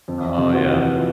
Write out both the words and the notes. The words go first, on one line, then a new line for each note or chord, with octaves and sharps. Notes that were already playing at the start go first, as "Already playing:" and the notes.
Oh, yeah.
F2
C3
F#4
E3
F4